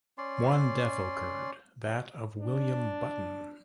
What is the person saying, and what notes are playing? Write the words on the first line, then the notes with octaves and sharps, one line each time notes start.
One death occurred, that of William Button.
C#4 D5 C6
D4